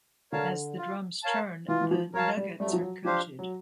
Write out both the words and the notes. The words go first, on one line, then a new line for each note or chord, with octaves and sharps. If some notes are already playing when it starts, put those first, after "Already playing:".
As the drums turn, the nuggets are coated.
D3 A#4 C#5 F5 A5
F4
A#4 C#5 F5 A5
E3 F4
E3
F3
F#3 A#4 C#5 F5 A5
G3
G3 A3
F#3
F3
F#3
F3 D4 G4 C5 F5
F#3